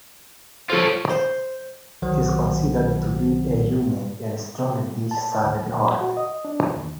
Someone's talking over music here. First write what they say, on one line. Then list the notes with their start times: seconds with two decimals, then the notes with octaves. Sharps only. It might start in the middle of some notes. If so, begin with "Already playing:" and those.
It’s considered to be a unique and strong dish served hot.
0.70 F3 F4 A4 C5 C#5
1.09 C5
2.02 B1 D#3 F#3 C5 F#5
5.11 A5
5.43 D2
5.69 A#2
6.01 F#4
6.17 D#5
6.45 D4
6.76 D#2